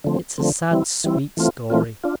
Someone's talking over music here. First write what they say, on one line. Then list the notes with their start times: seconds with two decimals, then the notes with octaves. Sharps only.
It's a sad, sweet story.
0.04 D3 F3 A3 C4
0.38 D3 F3 A3 C4
0.71 E3 G3 C4 E4
1.04 E3 G3 C4 E4
1.37 E3 A3 C4 F4
1.70 E3 A3 C4 F4
2.04 D4 F4